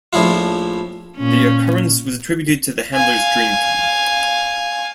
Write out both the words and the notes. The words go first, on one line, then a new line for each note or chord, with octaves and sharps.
The occurrence was attributed to the handler's drinking.
A#1 A2 F3 E4 F4
A#2 C#4
F5 G#5